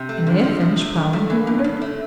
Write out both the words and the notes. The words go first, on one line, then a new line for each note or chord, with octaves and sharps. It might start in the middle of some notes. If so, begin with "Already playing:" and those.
"Can they have finished ploughing?" he wondered.
Already playing: C3
A3
F2 D3
F3
C3
A3
G2 D3
A3
E3
G2
G2 D3
A3